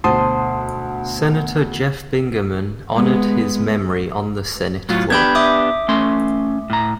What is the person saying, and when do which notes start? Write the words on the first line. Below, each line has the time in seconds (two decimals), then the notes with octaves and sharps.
Senator Jeff Bingaman honored his memory on the Senate floor.
0.04 D2 B2 C5 A5 C6 D#6
2.95 G#3 B3
4.89 A2 F#3 F4
5.10 B3 D4 G4 B5 G6 G#6
5.35 E5 D6 D#6
5.89 A3 C#4 C6
6.70 A2 A#5